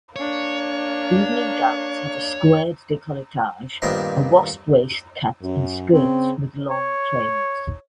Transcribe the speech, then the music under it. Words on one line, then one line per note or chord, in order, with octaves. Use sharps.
Evening gowns had a squared decolletage, a wasp-waist cut and skirts with long trains.
A#3 D4 C#5
G2 A#2 D#3 B3 C4 A#5
F#2
C#3 C4
C#5